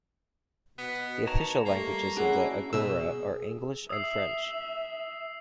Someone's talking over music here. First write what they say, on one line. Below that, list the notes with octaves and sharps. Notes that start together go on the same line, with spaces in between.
The official languages of the Agora are English and French.
B2 B3
D#3 C#5 A5 A#5
G3 A3 A#3
C#4 D4 E4 F#4 G#4 F#5
B2 G#4 E6
E5 D#6 E6 C7